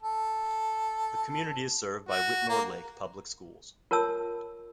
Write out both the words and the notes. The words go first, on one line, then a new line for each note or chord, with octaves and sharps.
The community is served by Whitmore Lake Public Schools.
A4
F#4
A#3
F4 A#4 C#5 A5 E6